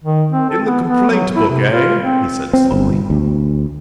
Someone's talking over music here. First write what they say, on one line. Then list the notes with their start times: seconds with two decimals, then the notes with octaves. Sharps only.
"In the complaint-book, eh?" he said, slowly.
0.04 D#3
0.32 C4
0.50 A4
0.65 B3
0.88 B3
1.10 F#3
1.36 E4
1.49 C3
1.72 F4
2.02 C4
2.53 C4
2.72 G1
3.10 D2